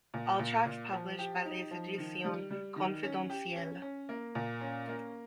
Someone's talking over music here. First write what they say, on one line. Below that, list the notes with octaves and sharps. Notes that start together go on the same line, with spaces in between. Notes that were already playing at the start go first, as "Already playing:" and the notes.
All tracks published by Les Editions Confidentielles.
A#2
A#2
A#2
F3
G4
D#4
F3
D#3
G3
G3
D#3
C#4
G4
C#4
C#4
A#3
A#2
C#4
A#3